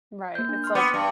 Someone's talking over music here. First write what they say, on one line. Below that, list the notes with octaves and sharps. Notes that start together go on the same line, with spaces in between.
Right, it's like
A#3 G6
D4
C6 F6
B3 D6 C#7
G2